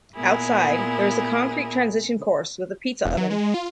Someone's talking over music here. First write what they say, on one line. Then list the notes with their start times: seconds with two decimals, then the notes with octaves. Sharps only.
Outside, there is a concrete transition course with a pizza oven.
0.16 A#2 B3 E4 G#4 A#4
3.05 E1
3.17 F#3
3.30 G#3
3.54 F4